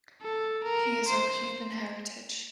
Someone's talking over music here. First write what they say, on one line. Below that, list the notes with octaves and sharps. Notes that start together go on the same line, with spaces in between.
He is of Cuban heritage.
A4
A#4
C5